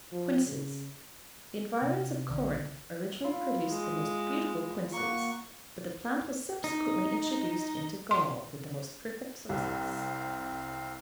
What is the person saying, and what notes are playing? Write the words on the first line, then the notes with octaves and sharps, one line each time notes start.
QUINCES.--The environs of Corinth originally produced the most beautiful quinces, but the plant was subsequently introduced into Gaul with the most perfect success.
F3
C#3
C3 F5 F#5
A#1 D3
E4 F4
G#3
A#3 F#5 C#6
D#4
C6
C2 C4 F5